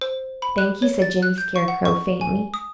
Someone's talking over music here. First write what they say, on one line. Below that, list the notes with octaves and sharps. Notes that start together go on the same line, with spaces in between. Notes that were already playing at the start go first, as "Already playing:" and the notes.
"Thank you," said Jimmy Scarecrow faintly.
C5
B5
F#6
C#5
A6
F#6
G6
C#6
F#5
C#6
G#5
D#6